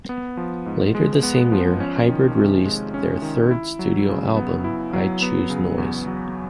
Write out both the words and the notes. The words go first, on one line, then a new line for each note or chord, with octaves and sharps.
Later, the same year, Hybrid released their third studio album, "I Choose Noise".
B3
F3
G#2
G#3
B3
F3
C#4
D#3
C3
G#3
C#4
D#3
E4
F#3
C#3
B3
E4
F#3
B3
C#3
E2
F#3